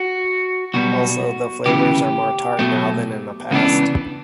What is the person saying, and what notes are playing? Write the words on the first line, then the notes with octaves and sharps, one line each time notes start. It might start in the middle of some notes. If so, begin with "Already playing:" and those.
Also, the flavors are more tart now than in the past.
Already playing: F#4
B1 B2 G3 B3 F#4
D2 C#3 E3 B3 E4 G4
B2 F#3 A3
C#2 C#3 E3 B3 D4